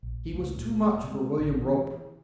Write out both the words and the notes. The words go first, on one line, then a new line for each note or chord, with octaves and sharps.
He was too much for William Roper.
A#1
C#2 A3
F1 A#2
C3 G#3
A1
E3